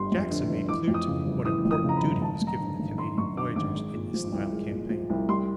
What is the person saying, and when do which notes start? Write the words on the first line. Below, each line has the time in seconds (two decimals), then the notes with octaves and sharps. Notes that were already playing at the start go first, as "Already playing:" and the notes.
Jackson made clear to me what important duty was given the Canadian voyageurs in this Nile campaign.
Already playing: G1 D3 G3 C6
0.12 F2
0.31 D3
0.50 G1
0.69 E3 D6
0.88 F2
0.94 D#6
1.07 C#3
1.26 G1
1.45 E3 D#6
1.65 F2
1.71 D#6
1.84 C#3 A#5
1.96 B5
2.03 G1
2.21 G#1 A5
2.41 F#2
2.47 A#5
2.60 D3
2.79 G#1
2.98 G#1 C6
3.18 F#2 C#6
3.37 D3 D6
3.56 G#1 D6
3.76 G#3
3.94 A#2
4.14 F3
4.32 C2
4.52 G#3
4.71 A#2
4.90 F3
5.10 C2
5.28 G3 C6